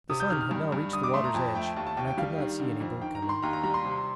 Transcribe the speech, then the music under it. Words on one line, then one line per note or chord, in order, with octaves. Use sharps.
The sun had now reached the water's edge, and I could not see any boat coming.
C3 D#6
G6
D#3 F6
F6
G2
G2
D3 D#6
D6
A3 C6
A#5
F2 A5
A3 G5
D#2 A5
A5
D#2 G5
G5
G3 F5
D#3
D3
F2
D#3 G5
A#5
D#3
C6
D#2 A#5
A#5
G3 A#5
C6
C3